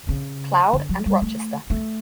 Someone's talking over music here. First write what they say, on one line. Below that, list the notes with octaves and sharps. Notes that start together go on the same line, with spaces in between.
Cloud and Rochester.
C#3
D3
F#3
G3
A3
A3